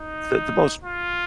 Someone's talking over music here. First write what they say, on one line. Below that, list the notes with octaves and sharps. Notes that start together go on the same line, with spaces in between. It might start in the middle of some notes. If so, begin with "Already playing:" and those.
the the most
Already playing: D#4
F4